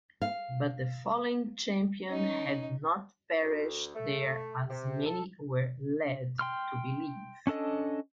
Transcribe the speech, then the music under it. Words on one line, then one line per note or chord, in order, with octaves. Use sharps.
But the fallen champion had not perished there as many were led to believe.
F5
C#4 D#4
D2
A3
C3
A4
G5 C6 F6
C#4 D4 A4 D#5